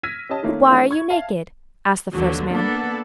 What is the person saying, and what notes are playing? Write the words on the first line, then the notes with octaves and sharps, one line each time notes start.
'But why are you naked?' asked the first man.
E6 F6 G#6 A#6 B6 D#7
C#4 G4 D#5 A5
D#3 A3 A#3 C#4 D#4 F4
E3 A3 C#4 D4 F4
C#6 G#6
E5 F5 A5
D#2 B2 D3 E3 F#3
A#3 B3 D4 A4 F#5